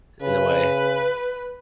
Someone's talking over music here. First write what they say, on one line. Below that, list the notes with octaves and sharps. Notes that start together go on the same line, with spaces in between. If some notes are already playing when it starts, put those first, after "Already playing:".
in a way.
C#3 B4